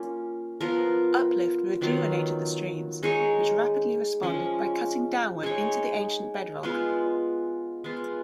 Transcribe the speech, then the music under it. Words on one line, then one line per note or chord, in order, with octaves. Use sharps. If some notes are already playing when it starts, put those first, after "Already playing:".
Uplift rejuvenated the streams, which rapidly responded by cutting downward into the ancient bedrock.
Already playing: A#3 C#4 F4
F3 B3 F4 A#4
D#3 F#3 B3 F4
G#3 D#4 G#4 C#5
F3 G#3 C#4
G#3 D#4 G#4 C#5
G#3 B3 F4
G#3 B3 F4